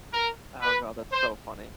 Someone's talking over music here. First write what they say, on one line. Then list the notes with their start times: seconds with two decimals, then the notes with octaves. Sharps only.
Oh god. That's so funny,
0.12 A#4
0.61 B4
1.12 C5